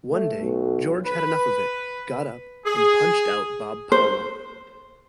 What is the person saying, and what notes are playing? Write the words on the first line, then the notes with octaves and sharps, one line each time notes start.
One day, George had enough of it, got up, and punched out Bob Powell.
A3
B1
B4
G#4
C5